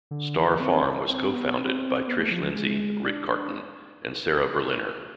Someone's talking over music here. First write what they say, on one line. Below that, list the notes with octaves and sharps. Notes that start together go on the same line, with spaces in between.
Star Farm was co-founded by Trish Lindsay, Rick Carton and Sara Berliner.
D3
E3
C4
C4
B3
C4
B3
A3
F3
F3
A3
G#3
D4
D4